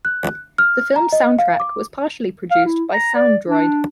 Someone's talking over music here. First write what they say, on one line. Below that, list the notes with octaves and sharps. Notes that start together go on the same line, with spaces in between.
The film's soundtrack was partially produced by SoundDroid.
F#6
F6
A#5
D#5
F5
D6
F5
E4
A#5
D5
D4